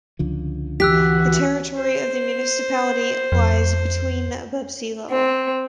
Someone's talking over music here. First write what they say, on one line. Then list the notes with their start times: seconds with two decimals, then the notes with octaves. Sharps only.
The territory of the municipality lies between above sea level.
0.19 C#2 D3 F3
0.80 E3 F#4 G4 E6 F#6 B6
1.78 C5
3.32 F2
5.12 C4